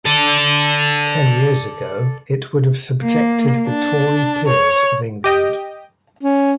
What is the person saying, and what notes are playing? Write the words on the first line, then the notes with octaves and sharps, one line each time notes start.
Ten years ago, it would have subjected the Tory Peers of England.
A4 D5
A#3
D4
C#5
G4 D#5 G5
C#4